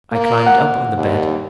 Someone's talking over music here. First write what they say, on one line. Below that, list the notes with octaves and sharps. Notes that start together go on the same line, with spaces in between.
I climbed up on the bed.
A#3
F#5
D#2